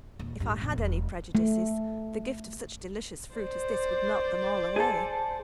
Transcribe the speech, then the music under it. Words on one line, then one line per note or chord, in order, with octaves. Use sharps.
'If I had any prejudices, the gift of such delicious fruit as this would melt them all away.
D#1
A1 G2
F1 A#1
E1
A3
C5 D5
G#4 A4